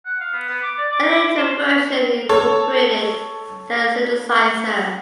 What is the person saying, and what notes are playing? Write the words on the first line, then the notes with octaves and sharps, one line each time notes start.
A later version incorporated that synthesizer.
F#5
F5
B3
B3
D6
D5
D6
D6
C5
A4 C#5